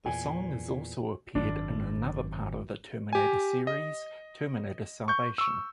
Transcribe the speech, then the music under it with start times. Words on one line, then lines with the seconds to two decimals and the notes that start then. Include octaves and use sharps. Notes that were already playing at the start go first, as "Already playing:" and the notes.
The song is also appeared in another part of the "Terminator" series, "Terminator Salvation".
0.06 E2 A#2 G#5
1.35 G#1 F#2 D4
3.13 G4 G#5
3.67 D#5
5.08 C#6 G6
5.38 C#6 E6